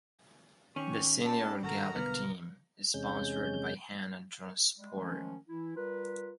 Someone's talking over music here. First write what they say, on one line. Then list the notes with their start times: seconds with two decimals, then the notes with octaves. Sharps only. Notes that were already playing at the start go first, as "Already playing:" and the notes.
The Senior Gaelic team is sponsored by Hannon Transport.
0.76 D#3 C#4 G4 C#6
1.25 G3 A#3 A5
1.63 G#1 F#4 A4 A#4 A#5
1.96 B1 D3 G3 A#3 B3 F6
2.94 E2 C3 G#3 C#4 G6
4.78 G3 G#3
4.96 D#3 F3 F#3 G#3 A3 C#4
5.48 E3 E4
5.76 G3 F4 A#4 B4